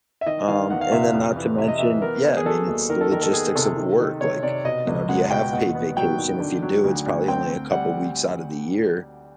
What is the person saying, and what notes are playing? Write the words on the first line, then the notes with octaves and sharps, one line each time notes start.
Um, and then not to mention yeah, I mean, it's the logistics of work, like, you know, do you have paid vacation? If you do, it's probably only a couple weeks outta the year,
E5
D#3 D#5
D#3 F5
E2 F#5
F5
C3 E5
F5
F2
E3
C3 E5
D#5
E3 E5
B3 A#4
B3
G#4
F#3 A4
D#2
D#3 A#4
A4
D#3 A#4
A4
B3 G#4
C3 A4
D#3
D#3
C3 C#5
C3 D5
B2 D#5
C#2
G#3 F#5
B2 G5
D#2 F#5
B3
F#3 G5
D#3
D3
F#3
D2
D2
C4 G5
C4
G3 F#5